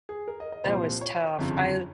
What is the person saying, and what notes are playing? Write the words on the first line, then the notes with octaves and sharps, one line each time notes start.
That was tough, I l
G#4
A#4
D#5
D#5
C2 A#2 F3 C5
C#5
G1 F2 C#3 F3